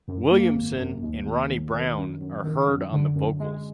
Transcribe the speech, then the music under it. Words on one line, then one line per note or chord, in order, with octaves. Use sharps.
Williamson and Ronnie Browne are heard on the vocals.
F#2
A#3
G#1
F#2
D#2
D#2
D#2
D#3
F#2
F#2
D#3
F#2
D3
F#2
G#3